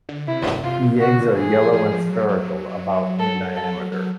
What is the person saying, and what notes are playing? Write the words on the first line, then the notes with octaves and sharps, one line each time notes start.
The eggs are yellow and spherical, about in diameter.
D3
C3 E4
C3 F4
C3
C#3 F#4
D3
E3 G#4
F#3
F3
F3
F3
F#3
F#3
A4
A4
F#3